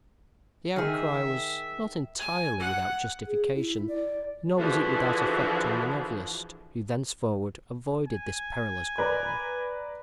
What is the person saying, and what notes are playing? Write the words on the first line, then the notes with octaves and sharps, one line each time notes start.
The outcry was not entirely without justification, nor was it without effect on the novelist, who thenceforward avoided this perilous ground.
D#3 G#4 E5
G#5
F#5
G#4
E4
D5
D3 E3 F3 D4 F#4 G#4
G#5
B4 D5 A#5